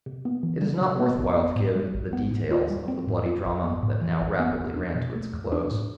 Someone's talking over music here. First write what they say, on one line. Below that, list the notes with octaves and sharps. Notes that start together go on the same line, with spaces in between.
It is not worth while to give the details of the bloody drama that now rapidly ran to its close.
C3
B3
E3
G3
C3
B3
A1
B3
A2
G3
A1
B3
A2
F4
G3
C4
A2
F4
A1
B3
A2
E3
A1
B3
E2
D4
B2
A3
E2
D4
A2